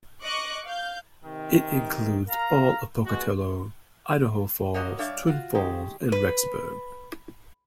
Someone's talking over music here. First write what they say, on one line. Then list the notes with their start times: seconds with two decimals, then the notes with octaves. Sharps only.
It includes all of Pocatello, Idaho Falls, Twin Falls, and Rexburg.
0.23 D#5 C#6 D6 F#6
0.66 F5 G6
1.23 C3 D#3
2.28 A#4 F5 A#5
3.05 B2 G#3 B3 F#4
4.74 F3 A#3 F#4 A#4 C#5 D#5
4.99 G3 D4 C#5 E5 F5
5.27 F4 F#4
5.54 D#3 G#3 G4
6.12 B4